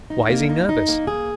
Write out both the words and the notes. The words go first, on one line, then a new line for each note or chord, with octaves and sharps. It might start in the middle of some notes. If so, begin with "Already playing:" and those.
Why is he nervous?
D#4
A#3
D#4
D#4
A#3
G#4